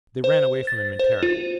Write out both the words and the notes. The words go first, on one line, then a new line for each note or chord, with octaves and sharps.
They ran away from him in terror.
C5
A6
C5
F4